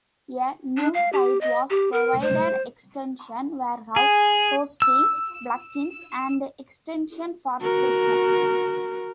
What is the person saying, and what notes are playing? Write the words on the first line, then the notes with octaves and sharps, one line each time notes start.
A new site was provided, Extension Warehouse, hosting plugins and extensions for Sketchup.
D4
F5
G4
D#5
G4
A#4
C5
G#4
E6
F#4 A#4